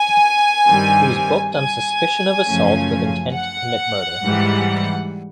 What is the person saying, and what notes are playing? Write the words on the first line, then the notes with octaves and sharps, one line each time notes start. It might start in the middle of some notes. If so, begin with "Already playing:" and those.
He was booked on suspicion of assault with intent to commit murder.
Already playing: G#5
G2 D#3 G3 C4
G#5
F#2 C#3 F3 A3 C#4
F#5
G#2 E3 G3